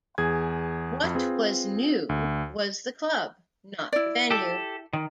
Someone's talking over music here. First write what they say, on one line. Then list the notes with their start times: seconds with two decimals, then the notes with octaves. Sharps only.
What was "new" was the club, not the venue.
0.18 E2 G#4 G#6
1.04 F2
1.15 C4 F4 G#4 B4
2.09 D2
3.93 E4 D5
4.31 G4 A4
4.93 D#3